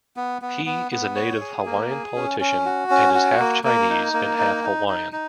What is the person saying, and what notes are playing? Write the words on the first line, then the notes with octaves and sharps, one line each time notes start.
Hee is a Native Hawaiian politician, and is half Chinese and half Hawaiian.
B3
B3
B3
B3
C#5
G#4
A#3
G#4
C#4
C#4
F#4
C#4
F#4
A#3
A#3
D#4
A#3
D#4
D#4
D#4
D#4